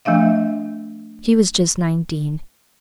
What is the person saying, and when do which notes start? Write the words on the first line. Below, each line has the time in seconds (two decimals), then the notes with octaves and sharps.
She was just nineteen.
0.05 F3 A3 D4 E5 F5